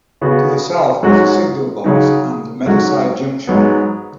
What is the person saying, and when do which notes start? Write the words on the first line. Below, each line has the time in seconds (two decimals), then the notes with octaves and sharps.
To the south was the signal box and Meadowside Junction.
0.21 C#3 B3 F#4
1.03 G#2 F#3 C#4 F#4
1.84 C#3 F#3 D#4
2.66 G#2 F#3 C#4 F#4
3.47 G#2 F#3 B3